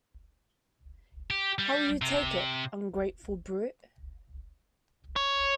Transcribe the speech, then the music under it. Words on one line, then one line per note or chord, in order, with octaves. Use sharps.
How will you take it, ungrateful brute?
G4
G3
C3
C#5